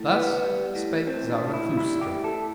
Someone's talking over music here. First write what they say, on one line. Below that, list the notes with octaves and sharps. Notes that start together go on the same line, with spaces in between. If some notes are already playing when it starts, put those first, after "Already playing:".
Thus spake Zarathustra.
Already playing: A2
B3
G3
A2
A2 C4
D4
A2
E4
G3
E4
A2 G4
A4
A2